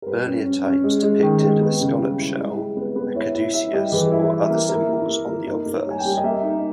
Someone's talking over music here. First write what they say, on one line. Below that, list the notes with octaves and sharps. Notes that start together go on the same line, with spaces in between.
Earlier types depicted a scallop shell, a caduceus, or other symbols on the obverse.
A#4
G3 B4
C#4
C#4
C#4
G#3
G#3
D#3
G#3
B3
C#3
G3
E4
G#3
G#3
B3
B3
E4 C#5
E4 E5
E4 E5
G3 D#5
E3 G#4
E4
E4
A#3
E4 A#4
A#3
A#3
A#3
D#4 A#4
A#3
C#5
G3
G#5
G5
G3
D#5
A#3 E5
D#4